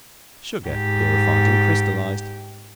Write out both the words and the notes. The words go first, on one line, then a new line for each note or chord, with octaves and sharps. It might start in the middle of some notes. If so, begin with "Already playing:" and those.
Sugar purified and crystallized.
G#2 G4